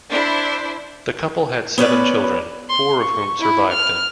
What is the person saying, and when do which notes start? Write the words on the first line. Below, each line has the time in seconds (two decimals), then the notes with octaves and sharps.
The couple had seven children, four of whom survived them.
0.10 D4 E4 C5
1.78 B3 C#4 B4 D5
2.69 C6
3.00 C#6
3.40 E4
3.72 F6